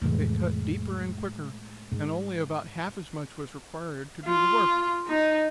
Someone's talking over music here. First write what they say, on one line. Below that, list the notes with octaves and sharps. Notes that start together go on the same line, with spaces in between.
It cut deeper and quicker, and only about half as much was required to do the work.
F1 A2 E3 G#3
G#2
F4
D#4